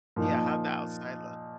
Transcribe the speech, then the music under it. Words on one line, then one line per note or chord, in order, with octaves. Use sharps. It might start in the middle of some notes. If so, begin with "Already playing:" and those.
Yeah, how'd the outside look?
A#2 F3 A#3 D#4